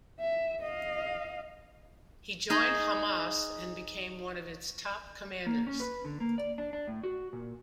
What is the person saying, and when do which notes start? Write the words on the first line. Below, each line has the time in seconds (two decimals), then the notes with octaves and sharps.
He joined Hamas and became one of its top commanders.
0.21 E5
0.62 D#5 F5
2.50 D#4 G#4 D#5
5.47 A#3
5.67 C#4
5.80 B4
6.05 D3
6.20 A#3
6.38 D5
6.58 D4
6.73 D4
6.87 A2
7.04 F#4
7.33 A#2